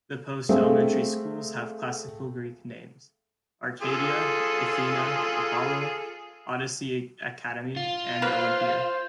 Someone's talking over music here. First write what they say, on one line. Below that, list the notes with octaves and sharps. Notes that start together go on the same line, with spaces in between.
The post-elementary schools have Classical Greek names: Arcadia, Athena, Apollo, Odyssey Academy, and Olympia.
A3 C4 G#4 E5 F5
F4 G#4 A4
F4
A#3 B4 C5